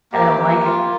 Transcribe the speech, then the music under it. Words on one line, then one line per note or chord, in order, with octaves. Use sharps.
and I don't like it.
A#3 G4
A#3
F4